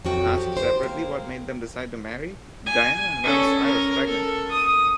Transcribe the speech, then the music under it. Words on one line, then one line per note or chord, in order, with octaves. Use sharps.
Asked separately what made them decide to marry, Diana announced I was pregnant!
F2 F#3 F#4 G5
G4
C5
A#3
G#5
C#4 A4
A#4
A4
D#6